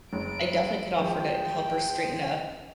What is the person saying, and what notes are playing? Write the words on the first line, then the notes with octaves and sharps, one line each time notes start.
I definitely could offer to help her straighten up.
F#1 G#3 D7
D1 F3 G#3 G5